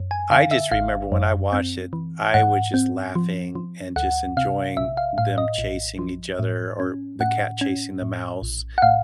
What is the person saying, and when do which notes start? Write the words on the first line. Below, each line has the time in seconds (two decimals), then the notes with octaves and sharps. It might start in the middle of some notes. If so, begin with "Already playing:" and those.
I just remember when I watched it, I wa just laughing and just enjoying them chasing each other or or the cat chasing the mouse,
Already playing: F#2
0.11 G#5
0.31 D3 F5
0.51 E5
0.72 G#1 F5
1.12 F#2
1.53 C4
1.93 E3
2.34 G#2 F#5
2.74 C4
3.16 F3
3.55 F3
3.96 D2 F#5
4.37 C3 F5
4.77 A#1 E5
4.97 F5
5.18 A2 F5
5.38 D#5
5.58 A#1
5.99 F3
6.39 A2
6.80 C#4
7.20 A2 F#5
7.61 C#4
8.02 A2
8.42 A#1
8.78 F#5
8.82 A2 F5